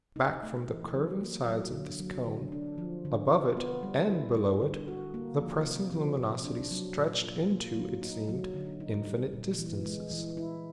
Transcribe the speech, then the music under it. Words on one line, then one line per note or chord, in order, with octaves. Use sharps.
Back from the curving sides of this cone, above it and below it, the pressing luminosities stretched into, it seemed, infinite distances.
D#4
A3
E3
F#3
A#3
F#3
D3
F#3
D3
D4
F3
D3
F4
B3
G3
E4
G3
D3
F#4
A#3
F3
C3
F3
C3
D4
F#3
A#2
F4
A#3
F#3
D#4
F#3
D3
D#4
G3
A#2
E3
G#3
E3
E4